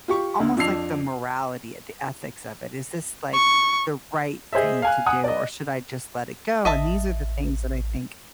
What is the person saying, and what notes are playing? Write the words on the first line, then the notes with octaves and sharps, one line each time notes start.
almost like the morality or the ethics of it. "Is this, like, the right thing to do, or should I just let it go," and these are the things that I think
F4 G4 C#6
D2 D3
F2 F3 D4 E6 C7 F7
C#6
G#4 C5 D#5 E5
F5 G#5 F#6
F#5 G#5 D#6 F#6
D5 D#5
A1 D#5 E5 A5